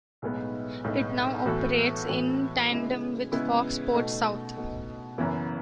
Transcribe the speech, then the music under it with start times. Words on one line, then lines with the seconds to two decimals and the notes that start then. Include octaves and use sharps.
It now operates in tandem with Fox Sports South.
0.22 B1 A2 G#3 B3 D#4
0.84 B1 A2 G#3 B3 D#4
1.46 A2 E3 B3 F#4 A4
2.07 A2 E3 B3 F#4 A4
2.70 C#3 G#3 B3 E4
3.32 C#3 G#3 B3 E4
3.94 B2 A3 D#4
4.56 B2 A3 D#4
5.18 F#1 F#2 E3 B3 E4